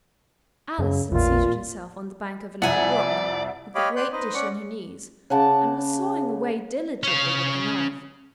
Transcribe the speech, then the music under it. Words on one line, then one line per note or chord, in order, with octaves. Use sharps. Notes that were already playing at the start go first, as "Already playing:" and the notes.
Alice had seated herself on the bank of a little brook, with the great dish on her knees, and was sawing away diligently with the knife.
F#2 C#3
A1 E2 A#2 F4
C2 F2 E4 D5 F#5 G#5 A#5
G4 C#5 D#5 F5 B5 D6
D5 C6 F#6 G6
D#4 B4 C5 D#5
C#4 D5 F#5 C#6
C#3 F#5 A5 D6
C#4 F5